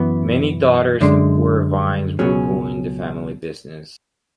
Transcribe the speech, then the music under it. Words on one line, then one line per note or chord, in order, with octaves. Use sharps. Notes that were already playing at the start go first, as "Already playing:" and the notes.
Many daughters and poor vines will ruin the family business.
Already playing: F#2 E3 B3
F#2 D3 G#3
C#2 B2 F#3 C#4 G#4